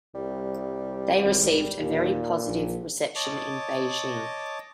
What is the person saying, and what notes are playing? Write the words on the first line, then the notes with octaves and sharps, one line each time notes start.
They received a very positive reception in Beijing.
C2 G3
G#1
D#2 A#2
A#1
C#5 D#5 A5 D6